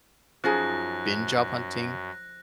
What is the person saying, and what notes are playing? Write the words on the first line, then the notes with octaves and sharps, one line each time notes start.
been job hunting,
F#2 F3 C#4 D#4 G#4 F#6 A#6